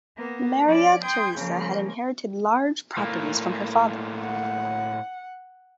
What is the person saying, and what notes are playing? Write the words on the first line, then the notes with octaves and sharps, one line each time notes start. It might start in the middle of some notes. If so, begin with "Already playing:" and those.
Maria Theresa had inherited large properties from her father.
A#3 B3
F3 C#4 D5
G5 C6 D#6 G6 G#6
C#3 F3 A#3
A2 A#3
F#5